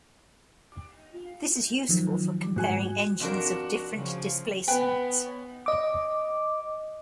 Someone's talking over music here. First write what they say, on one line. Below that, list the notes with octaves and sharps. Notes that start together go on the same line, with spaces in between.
This is useful for comparing engines of different displacements.
D#3 F3 F#3
G#2 F#4 G#5
F2 D4 F#4 A#4
C#3 F3
B3 B4 G5 G#5
D#5 D6